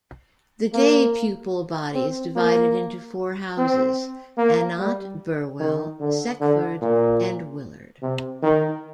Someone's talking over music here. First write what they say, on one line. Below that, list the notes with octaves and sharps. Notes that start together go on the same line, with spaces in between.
The day pupil body is divided into four houses, Annott, Burwell, Seckford and Willard.
A#3
C4
A#3
C4
A#3
G3
D#3
D3
D3
A#2
C3
D#3